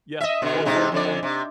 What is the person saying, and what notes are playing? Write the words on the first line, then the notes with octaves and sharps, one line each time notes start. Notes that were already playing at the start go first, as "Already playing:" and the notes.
yeah, or when or
D#5 E5
B2 D3
G#2 C3 D#4
F2 D3 D5
C3